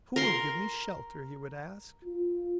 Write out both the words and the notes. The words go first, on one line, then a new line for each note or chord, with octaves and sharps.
"Who will give me shelter?" he would ask.
A#4 C6
F4